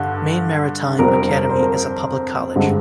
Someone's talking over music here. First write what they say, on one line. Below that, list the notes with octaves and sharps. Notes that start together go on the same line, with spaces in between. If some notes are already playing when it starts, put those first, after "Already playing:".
Maine Maritime Academy is a public college.
Already playing: G2 D3
F2 C3 G3 C4 A#4
A#4
C5
A#4
G2 D3 G#3 C4